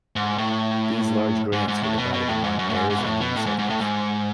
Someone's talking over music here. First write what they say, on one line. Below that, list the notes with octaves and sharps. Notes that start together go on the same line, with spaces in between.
These large grants were divided among heirs and new settlers.
G#2
A2
G#2
G#2
A2
B2
B2
A2
G#2
F#2
A2
G#2
G#2
B2
A2
B2
A2
G#2
G#2
A2
G#2